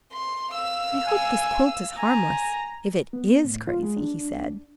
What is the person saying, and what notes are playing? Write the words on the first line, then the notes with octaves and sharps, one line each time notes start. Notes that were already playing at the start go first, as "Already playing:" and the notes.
"I hope this quilt is harmless if it IS crazy," he said.
C6
F5 E6
G#5
G#5 A#5
B3
A2
F4
G#3
D4